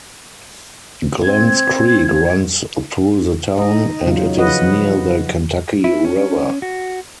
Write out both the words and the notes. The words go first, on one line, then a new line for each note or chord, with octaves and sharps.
Glenns Creek runs through the town, and it is near the Kentucky River.
C4 G#6
D#4 D#5
C#3 F#3 F4
F3 B4 D#5 F#5
E4
C#4
F#4